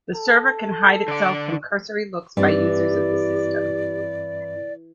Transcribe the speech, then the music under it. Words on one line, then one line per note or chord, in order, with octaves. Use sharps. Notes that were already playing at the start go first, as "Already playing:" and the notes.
The server can hide itself from cursory looks by users of the system.
A4
D3 D5
G2 E3 C4 G4 D5